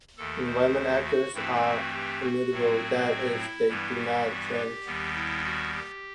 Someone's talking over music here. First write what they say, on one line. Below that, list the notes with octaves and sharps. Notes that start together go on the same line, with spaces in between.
Environment Actors are immutable, that is, they do not change.
D#2 D#3 A3 A4
C5
F#4
G2 E3 A3 C4 E4
F#4
G4
F#4
A2 F#3 A3 C4
E4
G2 E3 G3 B3
F#4
G4
D#2 D#3 G3 B3
E4
F#4
G4